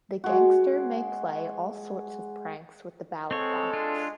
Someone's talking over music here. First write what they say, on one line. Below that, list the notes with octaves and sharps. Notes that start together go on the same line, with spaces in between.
The gangster may play all sorts of pranks with the ballot box.
G#3 F#4
G#3 C4 A4 C#5
D4 F4